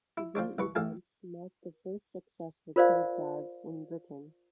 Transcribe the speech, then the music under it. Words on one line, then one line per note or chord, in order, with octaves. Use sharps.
The events marked the first successful cave dives in Britain.
E4
F3 C4 D4 C#5
C2 B4 C#6
A1 A4 F5 G#5
F4 A#4 C5 D5 F5